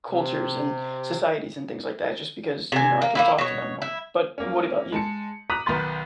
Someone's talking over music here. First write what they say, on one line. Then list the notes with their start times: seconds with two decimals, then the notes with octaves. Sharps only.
cultures and societies and things like that, just because, you know, I can talk to them more. But what about you?
0.10 C3
2.72 C3 G#5
3.02 A#3
3.15 A#3 B3 E4
3.38 B2 C#5
3.82 E4
4.38 A#3 C#4
4.92 G#3 A5 C#7
5.50 A#5 D6 D#6 F#6 B6 D#7
5.66 B1 D#3 B3 A#5 C6 A6